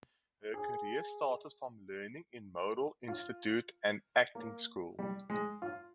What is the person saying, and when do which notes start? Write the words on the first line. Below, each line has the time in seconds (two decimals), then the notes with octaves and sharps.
Her career started from learning in Model Institute and Acting School.
0.54 G#4
3.08 F4
4.35 A#3
4.99 G3
5.30 G#3
5.62 F4